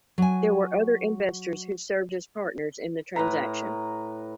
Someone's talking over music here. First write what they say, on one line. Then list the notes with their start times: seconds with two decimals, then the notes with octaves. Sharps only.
There were other investors who served as partners in the transaction.
0.18 F#3 G#5
3.16 A2 B4 A#5